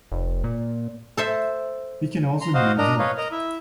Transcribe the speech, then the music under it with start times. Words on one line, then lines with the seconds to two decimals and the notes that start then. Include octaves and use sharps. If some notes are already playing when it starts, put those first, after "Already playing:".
It can also be revoked.
0.12 F1
0.44 A#2
1.17 A4 C5 E5
2.41 A#5 C6
2.54 F#4 C5 D#5 F5
2.78 D4 A#4 D#5 A#5
2.99 B4 C#5 D#5 F5
3.18 A#4 D#5 A#5
3.32 E4 E5